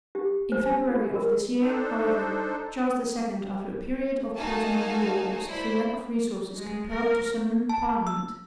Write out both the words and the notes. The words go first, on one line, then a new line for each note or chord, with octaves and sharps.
In February of this year, however, Charles II after a period of personal rule was through lack of resources compelled to summon parliament.
G4
C5
G#5
F4
A#4
D4 D#4 A4 C5
A#3 D#4 F#4 F5 G#5 A5
E4 C5 D5 B5
G#3
A#4
A5
E6